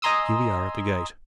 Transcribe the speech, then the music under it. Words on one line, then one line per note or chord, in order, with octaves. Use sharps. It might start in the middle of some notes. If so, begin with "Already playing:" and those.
Here we are at the gate.
D#5 G#5 A#5 C6 D#6 E6